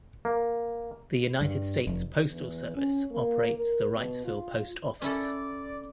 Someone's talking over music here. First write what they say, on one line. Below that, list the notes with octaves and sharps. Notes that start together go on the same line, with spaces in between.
The United States Postal Service operates the Wrightsville Post Office.
A#3
G2
F1
E2
C#4
A#3
A#4
B2
F4
C#4 E4 A4 D5